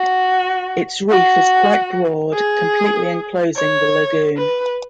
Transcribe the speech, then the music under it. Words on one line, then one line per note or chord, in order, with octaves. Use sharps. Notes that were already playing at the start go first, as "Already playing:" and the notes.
Its reef is quite broad, completely enclosing the lagoon.
Already playing: F#4
F#4
G#4
C#5
B4